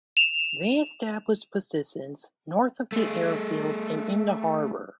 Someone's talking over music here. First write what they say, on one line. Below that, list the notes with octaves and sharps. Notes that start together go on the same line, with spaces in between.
They established positions north of the airfield and in the harbor.
E7 F7
A3 G#4